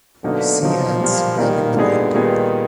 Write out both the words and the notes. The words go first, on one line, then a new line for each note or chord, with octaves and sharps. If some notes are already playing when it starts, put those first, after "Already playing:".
Sea hands grabbing the boat.
B2 D3 F#3 A#3 D#4
B2 F3 F#3 A#3 D#4
A#2 G3 A#3
A#2 D#3 G3 A#3
A#2 D3 G3 B3 D#4 G#4
A#2 D#3 G3 B3 D#4 G#4